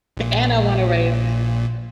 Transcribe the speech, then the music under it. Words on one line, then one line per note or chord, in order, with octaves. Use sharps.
A and I wanna raise.
A#1 A#2